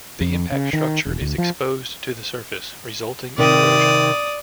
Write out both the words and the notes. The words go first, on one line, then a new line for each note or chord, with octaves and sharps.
The impact structure is exposed to the surface, resulting in erosion.
F2
C#3
D#3
E1
D2
F3
C3 D#3 D5 D#6